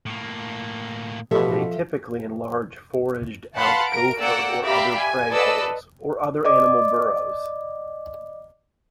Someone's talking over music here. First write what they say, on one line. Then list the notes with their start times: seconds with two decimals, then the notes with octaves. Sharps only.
They typically enlarge foraged out gopher or other prey holes, or other animal burrows.
0.06 A2 A#3
1.31 A1 B2 F3 G4 A4 E5
3.56 B4 F5 F#5 A5 B5 C6
3.87 A#4 D7
4.20 A#3 D5 F#5 G5 E6
4.64 G4 D5 E5 F5 A#5 B5
4.98 G#5
5.32 A4 B4 D5 D#5 E6
6.45 D5 D#5 D6